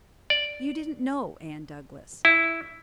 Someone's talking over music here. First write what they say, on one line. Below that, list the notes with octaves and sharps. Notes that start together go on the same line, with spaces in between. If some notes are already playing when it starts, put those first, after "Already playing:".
You didn't know Anne Douglas?
D5
E4